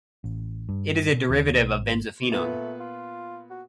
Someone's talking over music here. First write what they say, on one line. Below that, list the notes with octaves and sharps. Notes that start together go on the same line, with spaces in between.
It is a derivative of benzophenone.
A1
G2
B2
D#2
B1
G#1
A#2 A3 B3 B4
F4
F#4